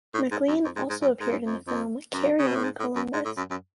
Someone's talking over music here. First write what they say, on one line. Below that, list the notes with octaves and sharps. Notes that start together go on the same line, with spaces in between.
Maclean also appeared in the film "Carry On Columbus".
A2
G#2
F#2
F2
G#2
G#2
F#2
G#2
F#2
F2
F2
F#2
C#3
B2
A2
G#2
A2
F#2
G#2
A2
F#2
F#2